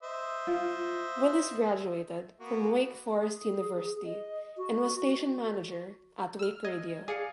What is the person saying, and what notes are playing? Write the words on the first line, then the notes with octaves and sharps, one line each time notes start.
Willis graduated from Wake Forest University and was station manager at Wake Radio.
C5 D#5 E5
F4
A#3 B3 F#4
G#4
D#5
F#4
E6 F6
D#5 G#6
G#4 D5 F5 C#7